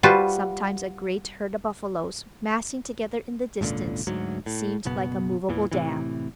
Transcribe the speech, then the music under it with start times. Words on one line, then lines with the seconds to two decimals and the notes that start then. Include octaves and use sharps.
Sometimes a great herd of buffaloes, massing together in the distance, seemed like a moveable dam.
0.03 G3 F4 F#4 B4 C5 A5
3.61 G#1 C#2 A#2 D3
4.07 D2 G#2 F#3
4.46 A2
4.85 F#1 B2 B3
5.49 E2 A#2 E3
5.72 A2 C3 E3